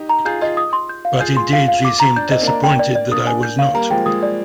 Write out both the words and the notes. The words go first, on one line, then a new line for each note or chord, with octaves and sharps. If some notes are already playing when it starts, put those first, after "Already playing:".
But indeed she seemed disappointed that I was not.
Already playing: D#4 G4
A#5
F4 G#4 G6
F4 G#4 D#5
D#6
C6
G6
F5
F4 G#4 G6
C6
F5
F5
D6
A#5
D4 G6
C4 D#5
A#3 D4
A#5
G5
D5
D5
A#3 D4 D#6
G#5
G6
F5
G3 A#3 A#5
F3 G#3 G5
F3 G#3 D#6
D5